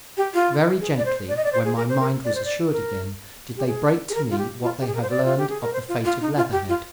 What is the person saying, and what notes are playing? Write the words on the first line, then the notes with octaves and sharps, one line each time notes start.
Very gently, when my mind was assured again, did they break to me what they had learned of the fate of Leatherhead.
G4
F4
G#4
D5
C5
D5
D#5
D5
C5
G#4
A#4
C5
A#4
D5
C5
D5
A#4
G4
G#4
G#4
A#4
F4
G4
F4
G4
G#4
A#4
C5
D5
F4
G4
G#4
A#4
C5
F4
F4
D#4
F4
G4
F4